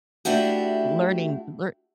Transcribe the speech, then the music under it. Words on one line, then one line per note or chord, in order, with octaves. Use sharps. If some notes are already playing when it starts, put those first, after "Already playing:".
learning lear
A3 D4 E4 F#4 G4